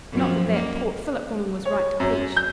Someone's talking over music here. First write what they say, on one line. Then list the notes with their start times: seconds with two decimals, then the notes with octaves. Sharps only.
Not that that Port Phillip woman was right to peach.
0.12 F#2 F3
0.53 A#3
1.65 C#5
2.00 F#2
2.37 G6